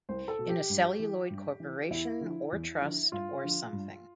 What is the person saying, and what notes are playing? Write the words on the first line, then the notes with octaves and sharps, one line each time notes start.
In a celluloid corporation or trust or something.
C2 C5
A4
B2
G4
G2
E3
G2
E3
E2 E4
D3 F3
E2
D3 F3
G2 F4
D3 F3
G2